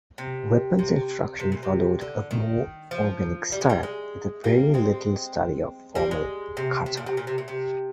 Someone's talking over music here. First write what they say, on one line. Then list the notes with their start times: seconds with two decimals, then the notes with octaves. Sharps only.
Weapons instruction followed a more organic style, with very little study of formal kata.
0.18 C3
0.79 C3
1.40 C3
1.52 A#2
1.63 C3
2.01 D3
2.31 D#3
2.91 F3
3.52 G3
3.61 G#3
3.69 G3
3.83 G#3
4.44 G3 A#3
4.74 G#3 C4
5.95 G3 A#3
6.11 G#3
6.57 C3
6.86 C3
6.97 A#2
7.06 C3
7.17 A#2
7.27 C3
7.38 A#2
7.48 C3